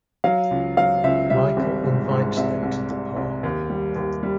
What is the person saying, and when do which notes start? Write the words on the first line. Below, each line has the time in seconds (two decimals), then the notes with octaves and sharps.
Michael invites them to the park.
0.24 F#3 F5
0.51 C#2
0.77 F#3 F5
1.04 C#2 E5
1.30 G3 E5
1.57 G#1
1.84 G#2
2.11 G#2
2.37 C2 E5
2.63 C2
2.90 C2
3.16 C2
3.43 D#2
3.70 G3
3.96 D#2
4.23 G3